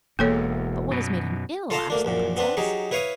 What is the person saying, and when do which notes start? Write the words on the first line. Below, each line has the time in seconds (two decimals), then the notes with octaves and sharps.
'But what has made him ill?' asked the princess.
0.19 E1 E2 A#3 A4 C#5
0.91 F#2 B2
1.70 F4 A4 F5 A5 A#5 C6
1.90 D2 A#3 D4
2.05 A#1 F#2 A#2
2.37 B3 C4 D4 B4
2.57 F#3 D#4 G4 G#4 C#6
2.91 E4 B4 C#5 F5 C#6 D#6